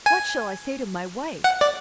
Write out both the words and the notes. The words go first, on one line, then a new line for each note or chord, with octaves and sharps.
What shall I say to my wife?
G#5
F#5
D5